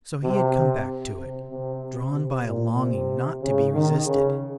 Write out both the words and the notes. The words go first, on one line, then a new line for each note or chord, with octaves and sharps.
So he had come back to it, drawn by a longing not to be resisted.
C3
C3
C3
C3
C3
A#2
C3
C#3
D#3
C#3